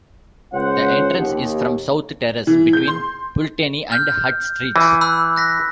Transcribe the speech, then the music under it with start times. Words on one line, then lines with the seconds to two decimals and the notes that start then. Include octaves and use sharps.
The entrance is from South Terrace, between Pulteney and Hutt Streets.
0.53 C#2 C#4 C5 F#5
1.17 D#2
2.47 E3
2.73 G6
2.88 C6
3.92 F6 G6
4.76 E3
5.01 B5 E6 F#6
5.36 F#6 A#6 B6